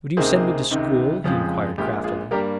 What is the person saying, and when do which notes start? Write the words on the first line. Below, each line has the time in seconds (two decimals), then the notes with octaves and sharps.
"Would you send me to school?" he inquired craftily.
0.17 C#2 C3 D#3 A#3 G#4 C5
0.70 C#2 C3 D#3
1.24 F2 C#3 F3 G#3
1.77 A#1 A#2 G#3 G4
2.04 F4 G#4
2.31 G2 G3 A#3 G4 A#4